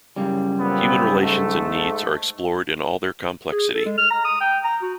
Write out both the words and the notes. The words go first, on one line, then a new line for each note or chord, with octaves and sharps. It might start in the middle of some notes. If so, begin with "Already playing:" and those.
Human relations and needs are explored in all their complexity.
F#2 C#3 G3
A#2 B3 C4
G#2 A3
G#4
A4
G#3
F6
A#5
D#6
G5
A#5
F#4